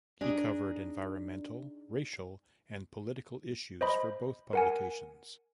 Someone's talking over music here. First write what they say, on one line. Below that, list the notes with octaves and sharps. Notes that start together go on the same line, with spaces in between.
He covered environmental, racial, and political issues for both publications.
D4 D#4 G#4
C5 D#5 B5
A#4 F#5 G#5